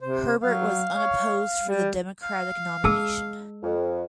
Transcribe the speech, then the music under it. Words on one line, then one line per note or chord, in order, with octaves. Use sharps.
Herbert was unopposed for the Democratic nomination.
C3 C5
F#3 F5
C#5
G3
F5
G#3 G#4 A5 E6
F2